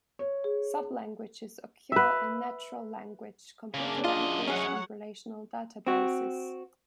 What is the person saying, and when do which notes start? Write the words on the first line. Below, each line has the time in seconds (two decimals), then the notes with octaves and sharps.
Sublanguages occur in natural language, computer language, and relational databases.
0.19 C#5
0.44 G#4
1.92 B4 E5
3.74 C#3 A#3 D4 G#4
4.05 F#2 F4 D#5
4.47 F#3 C#4 G#4 C#5 F#5
5.87 C4 F#4